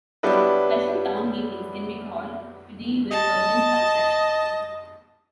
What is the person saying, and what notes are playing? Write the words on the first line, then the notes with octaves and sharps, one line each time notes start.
Special Town Meetings can be called to deal with urgent transactions.
F#3 G3 B3 D4 E4 B4
D#5 A5